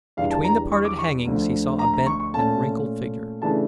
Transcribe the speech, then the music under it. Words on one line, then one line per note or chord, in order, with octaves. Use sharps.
Between the parted hangings he saw a bent and wrinkled figure.
E2 E3 G3 D4 F5
A5
A#5
C#6
D6
C#6
D2 D3 F3
A#5
A#5
C#6
C#6
A#2 A3 C#4 A5
C#3 E3 A3 D4 A5